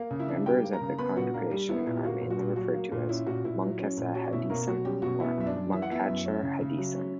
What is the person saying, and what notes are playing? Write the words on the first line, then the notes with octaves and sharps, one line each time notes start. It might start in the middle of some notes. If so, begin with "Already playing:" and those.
Members of the congregation are mainly referred to as "Munkacs Hasidim" or "Munkatcher Hasidim".
Already playing: A#3
C#3
E4 E5
D4
G3 G4 G5
A#3
A#4 A#5
C#3
B3 B4 B5
A#2 F#4 F#5
A#3 D4 A#4
G3 G4
B3 E4
A#2 E4
G4
A#3 F#4
A#2
F#4
A#2
F#3 F#4
A#3
A#2
C#4 E4
A#2 F#4
A#2 E4
F#3
C#4
A#2
C#4 F#4
D5
B2 E4 E5
B2 A#3 A#4
F#3 F#4
G3 C#4 G4
B2 F#4
B3 E4 E5
F#2 E5
D4 D5
F#2
E3 E5
F#5
B3 E4 E5
F#2
C#4
C#3
C#3
F#3
C#4